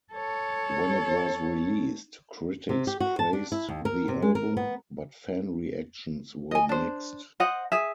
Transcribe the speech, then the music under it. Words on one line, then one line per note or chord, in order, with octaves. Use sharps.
When it was released, critics praised the album, but fan reactions were mixed.
A4 C#5
C3
G4
F#4
A5
D4
E4
D#2
A#4
C3
G#3
A#4
B3
D#5 G#5
D4 C5
C5 D#5 F#5
G#4 E5